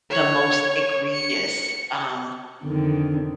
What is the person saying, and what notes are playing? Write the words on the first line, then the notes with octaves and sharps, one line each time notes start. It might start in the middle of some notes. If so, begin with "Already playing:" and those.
the most egregious, um,
C#5
C#7
F2 D3 D#3